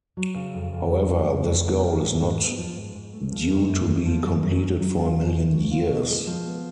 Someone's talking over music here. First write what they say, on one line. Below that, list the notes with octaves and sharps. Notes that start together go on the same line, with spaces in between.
However, this goal is not due to be completed for a million years.
F#3
C#3
F2
F2
F#3
C#3
F2
F2
B3
F3
G#2
G#2
B3
F3
G#2
G#2
A3
F3
F#2
F#2
A3
F3
F#2
F#2
C#4
F#3
F4
B2
C#4
F#3
F4
B2
G#3
F3
B3